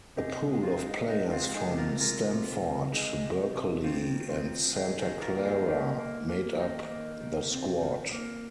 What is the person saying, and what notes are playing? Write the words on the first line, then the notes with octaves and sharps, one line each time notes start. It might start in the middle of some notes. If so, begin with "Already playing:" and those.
A pool of players from Stanford, Berkeley, and Santa Clara made up the squad.
C3 D#4 G#4
G#3 G#4
C4 F4
G#3 C4
D#4
G#3 D#4
C4 F4
G#3
D#4 G#4
C3
F4 A#4
G#3 F4 A#4
C3
C3
G#3 D#4 G#4
C3
C3
D#3 C4 F4
D#3
C4 F4
D#3
D#3 D#4 G#4
D#4 G#4
D#3
F4 A#4
A#3
D#4 G#4
A#3 D#4
A#3
A#3
C4
D#3 D#4
A#3
D#3
C3 C4 F4
D#3
A#3